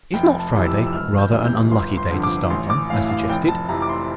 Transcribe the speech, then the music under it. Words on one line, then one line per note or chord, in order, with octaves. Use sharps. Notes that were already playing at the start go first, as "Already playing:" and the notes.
"Is not Friday rather an unlucky day to start on?" I suggested.
F1 G5
A5
F2 C3 E3
E6
E6
E1 F6
G6
D2 C3 E3
G6
G1 C6
C6
F2 D3
D6
A1 C6
D6
A2 E3 F5
F5
F1 G5
A5
F2 C3 E3 A#5
D6
C6